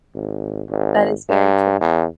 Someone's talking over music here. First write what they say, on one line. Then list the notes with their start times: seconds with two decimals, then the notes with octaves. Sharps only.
That is very true.
0.14 G#1
0.69 G#1
1.29 G2
1.81 E2